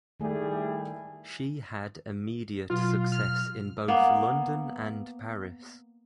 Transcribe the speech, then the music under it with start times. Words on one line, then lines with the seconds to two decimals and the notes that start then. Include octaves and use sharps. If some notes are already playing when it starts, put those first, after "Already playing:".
She had immediate success in both London and Paris.
0.20 D#3 G3 A3 E4 G#4
2.70 B2 F#3 F4
3.12 F6
3.88 A#3 B3